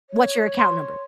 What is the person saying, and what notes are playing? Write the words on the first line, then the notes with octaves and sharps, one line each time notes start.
What's your account number?"
C#5
C6